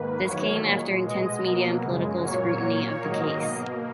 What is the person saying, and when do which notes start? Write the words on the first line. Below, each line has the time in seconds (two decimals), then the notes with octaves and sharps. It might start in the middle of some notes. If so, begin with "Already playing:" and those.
This came after intense media and political scrutiny of the case.
Already playing: G#2 D#3 A#3 B4
0.25 E2 D#3 F#3 A#3 C#5
0.66 A#2 G#3
1.05 B2 G#3 D#5
1.45 B2 F#3 A#3
1.84 F#2 C#3 G#3
2.23 A#2 F#3 A#3 C#5
2.62 A#2 A#3 C#5
3.03 G#2 D#3 F#3 A#3 D#5
3.41 B2 A#3